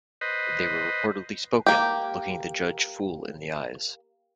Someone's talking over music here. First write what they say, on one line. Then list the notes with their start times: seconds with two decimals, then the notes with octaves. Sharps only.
They were reportedly spoken looking the judge full in the eyes.
0.21 B4 C5 D#5
1.66 A#3 G4